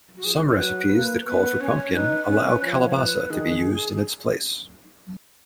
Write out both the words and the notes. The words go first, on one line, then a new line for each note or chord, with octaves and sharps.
Some recipes that call for pumpkin allow calabaza to be used in its place.
F#4
F3 G#4
B4
B4
F#3
A#3
B3 B4
C#4 C#5
D#4 B4
C#4
F3 C#5
A#4
B4
D#3 G#4